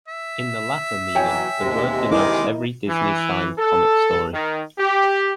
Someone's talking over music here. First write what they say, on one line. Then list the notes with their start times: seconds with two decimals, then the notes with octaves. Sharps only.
In the latter meaning, the word denotes every Disney signed comic story.
0.08 E5
1.15 B2 E3 F#3 C#5 G5 G#5
1.58 D#2 C3 G#3
2.12 D#3 E4 G#4 A#4 D#5 D6
2.88 E3
3.59 A4
4.33 D#3
4.79 G4